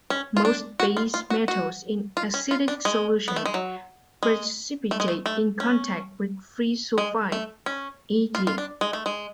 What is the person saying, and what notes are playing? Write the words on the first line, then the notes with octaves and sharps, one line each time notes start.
Most base metals in acidic solution precipitate in contact with free sulfide, e.g.
C#4
F4
D4
F#4
F4
F4
F#4
F#4
F4
C#4
F4
D4
G#3
B3
A3
G#3
F#3
G#3
A3
G#3
A3
A3
C#4
G#3
A3
C#4
F4
F4
D4
G#3
A3
G#3